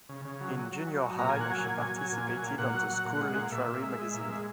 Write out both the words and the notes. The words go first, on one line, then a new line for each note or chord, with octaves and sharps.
In junior high, she participated on the school literary magazine.
C#3
C#3
F#3
F#3
F#3
F#3
F#3
A#2 A#5
A#2 G#5
F#5
F#3 G#5
A#2
F#3
F#3
A#2
F#3
A#2
A#2 F#5
F#3
F#3
A#2
G#3
A#2
A#2 E5
A#2
G#3
G#3
A#2
G#3